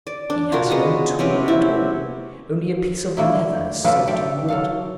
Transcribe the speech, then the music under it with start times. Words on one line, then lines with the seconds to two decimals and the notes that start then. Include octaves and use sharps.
He has no tool at all, only a piece of leather soaked in water!
0.07 D5
0.30 D4
0.52 F4 F#4 A#4
0.70 G#3 B3 A#5
1.19 C3 B3 C#4
1.48 E4
3.17 D3 A3 A#3 E4
3.84 F#3 A#3 F4 A4 B4 D5
4.08 G4 A4 D5 E5
4.48 F#3 A4 F5